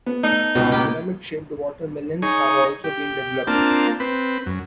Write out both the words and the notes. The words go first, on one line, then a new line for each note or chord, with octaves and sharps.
Pyramid shaped watermelons have also been developed.
B3
A3 D#4
C#2 G#2 B2 B5
A#3 B3 G4
D#4 G#4 C#5
G4
A#3 C4 D4 F4 A5
C4 B4
F#2